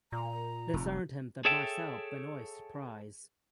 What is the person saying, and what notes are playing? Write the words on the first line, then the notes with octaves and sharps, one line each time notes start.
This earned him the Marcel Benoist Prize.
A#2 A#5
F1
G#4 A4 C#5 E5 G5 A5